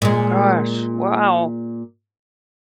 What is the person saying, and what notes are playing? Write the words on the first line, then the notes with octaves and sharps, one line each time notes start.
gosh, wow.
A#2 G#3